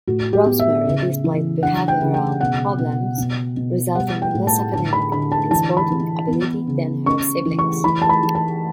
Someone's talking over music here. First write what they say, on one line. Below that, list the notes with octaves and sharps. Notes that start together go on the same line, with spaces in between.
Rosemary displayed behavioral problems, resulting in less academic and sporting ability than her siblings.
A2 F#4
G4
B3
E5
C#3
E3
D4 F#5
G5
C#3
G5
B2 F#5
B2
B2
B2
G3 F#5
G5
A2
A5
D3 A5
B5
D3 B5
A5
E3 A5
B5
E3
B3
C#3
C#4 C#6
E3
C#6
E3 B5
A5
B5
E3
A5